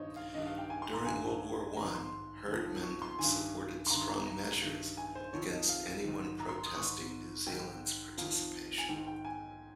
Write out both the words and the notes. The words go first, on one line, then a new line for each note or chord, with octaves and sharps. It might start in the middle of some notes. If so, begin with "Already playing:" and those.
During World War One, Herdman supported strong measures against anyone protesting New Zealand's participation.
Already playing: G2 D#3 C5 C#5 D#5
F5
G2 D#3 D#5
F5
G5
G#5
C6
A#5
G2 D#3 G#5
G#2 D#3 A#5
C6
F2 D#3
C#6
C6
G2 D#3 G#5
C6
G2 D#3 A#5
A#5
A#5
G2 D#3
G#5
C5
F2 D#3 C#5
D#5
F5
G#2 D#3
A#5
C6
D#6
G#2 D#3 C#6
G#2 D#3 G5
F2 D#3 F5
G#5
G#2 D#3 G5
G5
G#5